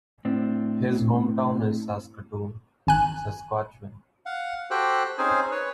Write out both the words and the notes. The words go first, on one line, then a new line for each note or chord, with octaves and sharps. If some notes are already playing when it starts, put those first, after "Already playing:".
His hometown is Saskatoon, Saskatchewan.
A2 C4 D4
G#1 G#5 F#6
F5 F#5
F#4 G4 A4 C5 G5 F#6
C4 C#4 D#4 G#4 C5 G#5
B4 C#5